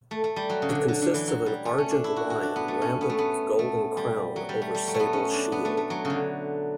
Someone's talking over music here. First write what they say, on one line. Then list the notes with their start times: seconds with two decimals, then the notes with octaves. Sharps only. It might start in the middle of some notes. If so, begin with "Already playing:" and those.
It consists of an argent lion rampant with golden crown over sable shield.
0.11 A3
0.24 A3
0.36 G3
0.49 F#3
0.62 C#3
0.69 D3
0.88 D3
1.01 D3
1.14 E3
1.27 F#3
1.46 G3
1.65 A3
1.78 C#4
1.91 D4
2.04 E4
2.16 F#4
2.30 F#4
2.43 D4
2.56 B3
2.68 A3
2.81 C#4
3.01 B3
3.09 A3
3.19 B3
3.59 A3
3.97 G3
4.36 F#3
4.49 G3
4.62 A3
4.75 G3
4.88 F#3
4.94 A3
5.00 B3
5.13 C#4
5.33 D4
5.52 B3
5.65 A3
5.77 A3
5.90 F#3
6.05 C#3
6.10 D3